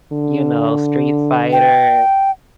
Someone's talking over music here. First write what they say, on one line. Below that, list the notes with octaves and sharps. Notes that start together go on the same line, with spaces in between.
you know, Street Fighter,
D3
G5